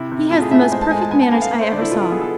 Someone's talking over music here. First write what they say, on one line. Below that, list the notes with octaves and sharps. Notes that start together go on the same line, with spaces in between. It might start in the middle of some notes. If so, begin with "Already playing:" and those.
He has the most perfect manners I ever saw.
Already playing: C3 E4
C3
A2 F4
G#4
A2 E5
G#5
G#3 C5
A5
G#3 G#5
A5
B3 G#5
A5
B3 G#5
F5
A3
C5
D3 D5
E4
B2 F4
E4
B3 G#4
A4